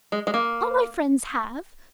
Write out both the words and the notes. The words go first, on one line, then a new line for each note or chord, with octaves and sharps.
All my friends have.
G#3
G#3
A#3